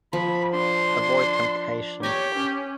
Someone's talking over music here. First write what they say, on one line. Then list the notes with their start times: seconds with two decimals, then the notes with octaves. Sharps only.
Avoid temptation.
0.13 F3 B5
0.53 D4 C6
2.03 G4 C#5 G#5 A#5 D6
2.35 C#4